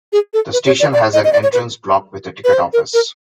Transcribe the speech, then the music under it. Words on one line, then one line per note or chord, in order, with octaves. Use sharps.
The station has an entrance block with a ticket office.
G#4
A4
B4
C#5
D5
D5
D#5
D#5
D5
C#5
B4
B4
C5
A#4
A#4